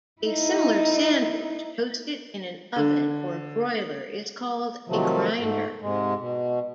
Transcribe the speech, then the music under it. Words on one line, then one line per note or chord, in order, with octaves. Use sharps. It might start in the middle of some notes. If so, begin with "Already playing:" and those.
A similar sandwich toasted in an oven or broiler is called a "grinder".
D#4 E4
D3
C3 D#3 F3 F#3 A3
G#2 A3
G#2 C3 G#3
B2